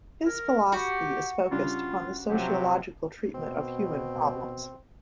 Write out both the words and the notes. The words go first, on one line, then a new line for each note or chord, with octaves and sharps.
His philosophy is focused upon the sociological treatment of human problems.
A#4
F#4 G4 B5
C#3 G3 D4 F4
C3 F3 F#3 G4
B2 C4